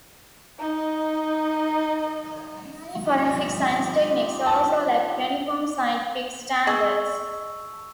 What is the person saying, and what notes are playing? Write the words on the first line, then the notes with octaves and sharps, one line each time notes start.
Many forensic science techniques also lack uniform scientific standards.
D#4 D#5
D#4 F4 G4
A5
G#4 D#5 C6 C#6 E6